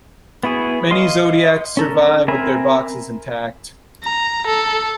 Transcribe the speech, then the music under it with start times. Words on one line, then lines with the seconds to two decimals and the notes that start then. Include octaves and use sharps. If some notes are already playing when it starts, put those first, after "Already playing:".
Many Zodiacs survive with their boxes intact.
0.43 B3 E4 F#4 G#4
0.91 D#5 F5 C6
1.77 C#4 A4 A#4
2.28 C4 A#4 E5 G#5 B5
4.03 A#5
4.47 A4